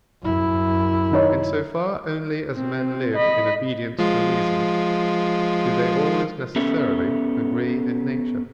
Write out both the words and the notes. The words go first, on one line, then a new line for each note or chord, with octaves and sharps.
In so far only as men live in obedience to reason, do they always necessarily agree in nature.
F#2 E4
D#3 D#4 C#5
C4
D#5 B5
F3 G#3 F4
B3 C#4 G4 A4 E5